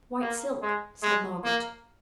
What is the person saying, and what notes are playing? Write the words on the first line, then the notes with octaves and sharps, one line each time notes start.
'White silk,' said Margaret.
A#3
G#3
G#3
A#3